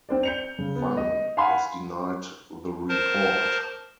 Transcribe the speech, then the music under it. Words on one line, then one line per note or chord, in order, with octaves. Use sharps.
Wang has denied the report.
C4 C5 D5
G6 C#7 F7
C#3
B3
D#5
F5 F#5 G#5 B5 C6
A#4 C5 A5